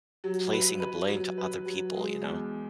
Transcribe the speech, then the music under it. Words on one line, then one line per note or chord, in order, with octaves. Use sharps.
placing the blame to other people, you know?
F#3
B4
B4
F#3
B4
F#3
G#3
E2